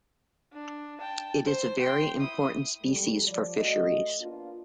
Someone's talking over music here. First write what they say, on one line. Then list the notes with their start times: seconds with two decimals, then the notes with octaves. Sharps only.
It is a very important species for fisheries.
0.53 D4
0.98 G5 A5
1.45 C5
1.81 G5 C6
2.20 E4 D#6
2.82 F2 G3 G#3 G4 A4
3.28 F3 D5
3.58 A3 F#4 D#5
4.21 A#3 B3 D4 F4